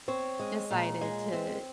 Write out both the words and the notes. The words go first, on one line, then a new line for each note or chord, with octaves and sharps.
decided to
C4 C#5
G#3
A#2
G#3
C4